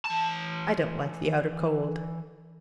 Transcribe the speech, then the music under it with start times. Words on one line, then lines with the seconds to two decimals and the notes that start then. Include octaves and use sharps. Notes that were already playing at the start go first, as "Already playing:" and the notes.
I don't like the outer Cold.'
0.05 E3 A5